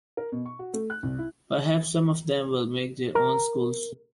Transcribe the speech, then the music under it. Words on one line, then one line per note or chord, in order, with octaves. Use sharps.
Perhaps some of them will make their own schools.
A#4
B2
C#6
F#4
A3
F#6
C2
E4
A#4